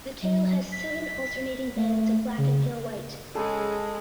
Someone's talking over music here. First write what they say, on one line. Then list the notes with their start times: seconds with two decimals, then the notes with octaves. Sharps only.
The tail has seven alternating bands of black and pale white.
0.22 F#3
0.72 B6
1.76 A3
2.38 C#3
3.35 C#3 G#3 A4